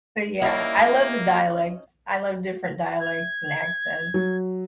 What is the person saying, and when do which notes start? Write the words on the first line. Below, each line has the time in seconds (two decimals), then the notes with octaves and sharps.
But yeah, I love the dialects. I love different dialects and accents.
0.42 G3 A#3 C#4 D#4 E4 E5
3.00 G#6
4.14 F#3